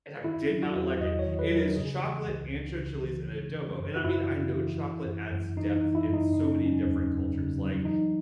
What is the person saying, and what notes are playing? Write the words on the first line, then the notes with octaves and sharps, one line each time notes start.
and I did not like it. It is chocolate, ancho chilies and adobo, and I mean, I know chocolate adds depth in so many different cultures, like,
D#3 E4
F#3
F#4
E2
E2 D#5
C#5
D#3
B4
F#3
A#4
C#3 G#4
E3
C#2
C#2
C#3
E3
C#3
E3
F#2
F#4
F#2 E4
C#3
E3
E3
F#2
F#2
E3 D#4
D#4
E3
E4
F#2
D#4
C#3 D#4
C#4
F#3
C#4
E2
E2
C#3
F#3
E3 D#4